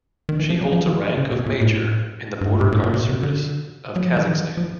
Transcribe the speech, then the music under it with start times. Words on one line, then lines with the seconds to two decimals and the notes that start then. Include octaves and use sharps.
She holds a rank of Major in the Border Guard Service of Kazakhstan.
0.29 D#3
0.39 E3
0.50 F3
0.61 F#3
0.73 F3
0.87 E3
1.18 C#3
1.32 B2
1.46 A#2
1.61 A2
2.41 G2
2.50 G#2
2.61 G#2
2.72 A2
2.83 A#2
2.94 B2
3.09 C3
3.23 D3
3.96 F#3
4.06 F3
4.17 E3
4.27 D#3
4.57 F3